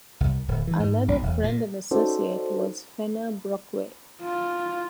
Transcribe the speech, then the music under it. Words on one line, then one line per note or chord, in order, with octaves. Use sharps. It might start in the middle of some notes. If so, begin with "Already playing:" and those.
Another friend and associate was Fenner Brockway.
C2
D1
E3
G#2
B1
E1
A#2
C#4 D#4 F#4 A4 C5 D5
F4